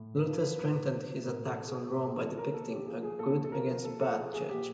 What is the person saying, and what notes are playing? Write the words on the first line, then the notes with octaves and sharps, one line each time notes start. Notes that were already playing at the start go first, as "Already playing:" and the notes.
Luther strengthened his attacks on Rome by depicting a "good" against "bad" church.
Already playing: A2
B4
F3
B4
A2 B4
F3
A2 A#4
A4
E3
G#4
A2 G4
G#4
E3 A4
A#4
A#2 A4
G4
F3 G#4
G#4
A#2 A4
A4
F3 A#4
A#2 A4
A4
F3 G#4
G#4
A#2 G4